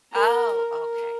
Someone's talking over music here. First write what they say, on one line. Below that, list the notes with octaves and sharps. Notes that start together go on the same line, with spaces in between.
Oh, okay.
A#4
A#4